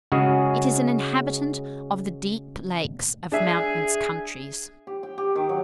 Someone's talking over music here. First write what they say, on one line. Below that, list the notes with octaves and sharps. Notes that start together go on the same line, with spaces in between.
It is an inhabitant of the deep lakes of mountainous countries.
C#3 G#3 C#4 F#4 G#4
D4 G#4 E5
G4
G5
G4
D#3
F#3